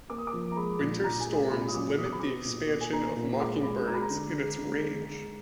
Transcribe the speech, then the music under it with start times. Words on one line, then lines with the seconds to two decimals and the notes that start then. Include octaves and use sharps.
Winter storms limit the expansion of mockingbirds in its range.
0.10 A#3 D6
0.18 D#6
0.27 D6
0.33 F3
0.51 A#5
0.56 G#3 B5
0.80 A#2
1.04 A#2 A#5
1.20 G#5
1.27 G#3
1.35 G#5
1.51 A#2 B5
1.68 D#6
1.74 F#3 D6
1.98 B2 D#6
2.06 D6
2.12 B5
2.19 B2 D6
2.45 A#2
2.68 A#2
2.81 G#5
2.92 A#3 A#5
3.16 A#2
3.40 G#3 D6
3.63 G#3 B5
3.87 G#3 A#5
3.94 B5
4.01 A#5
4.10 D3
4.35 G#3
4.57 D3
4.81 G#3
5.04 G#3